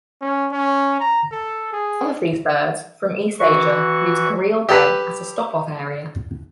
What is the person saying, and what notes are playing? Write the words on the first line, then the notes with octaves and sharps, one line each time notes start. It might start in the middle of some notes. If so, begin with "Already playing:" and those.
Some of these birds, from East-Asia, use Careel Bay as a stop off area.
C#4
C#4
A#5
A4
G#4
E3 F#4 C#6
G4 A4 B4 G5